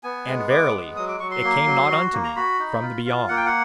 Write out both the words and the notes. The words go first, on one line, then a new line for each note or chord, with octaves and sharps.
And verily, it came not unto me from the beyond!
B3 G#5
G#3
B3 D6
G#3
F#3 D#6
D6
F#3 C#6
C6
A#3
F#3
F#4
A#3
A#5
F#4 B5
D#4
F4
F4
A#3 F#5
G5
F#5